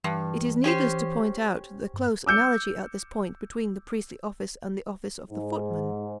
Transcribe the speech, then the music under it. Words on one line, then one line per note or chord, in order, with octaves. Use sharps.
It is needless to point out the close analogy at this point between the priestly office and the office of the footman.
G2 E3
C#4 G4 C5
G2
D6 E6 G6 C#7
G#2